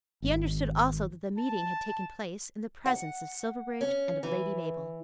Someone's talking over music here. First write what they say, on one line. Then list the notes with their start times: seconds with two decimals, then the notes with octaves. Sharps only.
He understood also that the meeting had taken place in the presence of Silverbridge and of Lady Mabel.
0.22 G#1
1.38 A5
2.86 F#5
3.81 C#4
4.23 E3